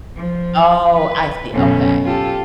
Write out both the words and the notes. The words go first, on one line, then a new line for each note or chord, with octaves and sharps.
Oh, I see, okay.
F3
B4
F#2 B2 A3 C#4
F4 G4 A4